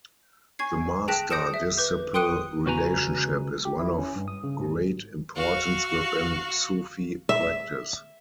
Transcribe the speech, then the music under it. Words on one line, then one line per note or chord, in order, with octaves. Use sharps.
The master-disciple relationship is one of great importance within Sufi practice.
G#5 C#6 G#6 C7
G#4 G5 A5 F#6 A#6 B6
D#6 G6 A#6 C#7 D7 E7
E5
B4 D6 G6
G5 C6 D#6 F#6 C#7 D#7
C#2 F#4 B4 G#5 A#5
G4
E4
C#4
G2
D#6
C#3
G#2
F#4 F5
E5